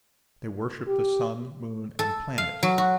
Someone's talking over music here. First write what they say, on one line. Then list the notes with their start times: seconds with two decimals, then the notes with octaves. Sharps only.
They worshipped the sun, moon, and planets.
0.87 G4
1.99 A4
2.38 F5
2.63 F#3
2.78 F#4